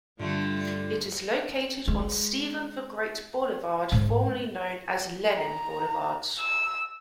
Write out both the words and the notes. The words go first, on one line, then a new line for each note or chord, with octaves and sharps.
It is located on Stephen the Great Boulevard formerly known as Lenin Boulevard.
G2 D3 G3 A3 F4
G#3
G#2
A#5
E6